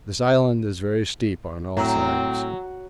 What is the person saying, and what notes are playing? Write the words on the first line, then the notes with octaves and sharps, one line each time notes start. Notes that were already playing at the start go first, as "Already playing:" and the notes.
This Island is very steep on all sides.
A2 F#3 C4